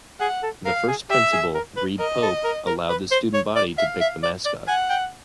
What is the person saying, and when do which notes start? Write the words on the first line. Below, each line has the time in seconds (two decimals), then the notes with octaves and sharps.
The first principal, Reid Pope, allowed the student body to pick the mascot.
0.20 G#4 F#5
0.43 A4
0.65 A#4 F5
0.88 G#4
1.10 G4 E5
1.32 G#4
1.54 A#4
1.77 B4
1.99 A#4 D#5
2.22 A4
2.44 A#4
2.67 A#4
2.89 B4
3.11 C5
3.34 C#5
3.56 D5
3.78 E5 F5
4.01 E5
4.23 D5
4.45 D5
4.68 F#5 G#5
4.90 G5